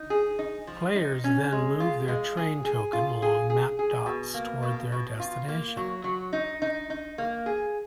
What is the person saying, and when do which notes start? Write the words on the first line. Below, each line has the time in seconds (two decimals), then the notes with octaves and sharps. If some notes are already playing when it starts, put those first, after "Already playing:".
Players then move their train token along map dots toward their destination.
Already playing: D#4
0.10 G#4
0.39 D#4
0.67 F3
0.95 D#4
1.24 C#4
1.52 G#3
1.80 F4
2.08 G#3
2.37 G#4
2.65 G#4
2.93 F4
3.22 G#4
3.50 G#4
3.79 G#4
4.06 B2
4.34 A#3
4.63 B2
4.92 B2
5.20 F4
5.48 A#3
5.77 F#3
6.04 F#3
6.33 D#4
6.62 D#4
6.90 D#4
7.18 A#3
7.46 G#4